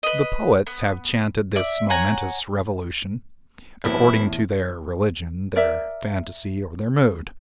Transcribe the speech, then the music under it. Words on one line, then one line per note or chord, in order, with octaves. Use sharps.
The poets have chanted this momentous revolution according to their religion, their phantasy, or their mood.
B4 D#5
B3
D5 E5
C#5 F#5 G#5 A#5
E2 A2 E3 F#3 A#3 C4 E4
A#4 D5 E5